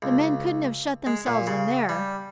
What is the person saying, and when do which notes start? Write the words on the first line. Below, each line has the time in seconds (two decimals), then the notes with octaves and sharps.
"The men couldn't have shut themselves in there."
0.02 C#2
1.06 G#3
1.26 A#2
1.47 C#3
1.89 G3